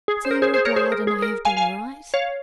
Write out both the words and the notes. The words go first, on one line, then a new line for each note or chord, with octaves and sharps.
"So you are glad and I have done right?"
G#4
C5
A#4
G#4 C5
G#4 C5
A#4 C#5
G#4 C5
A#4
G#4
A#4
F5 G#5
F5 G#5
C#5 F5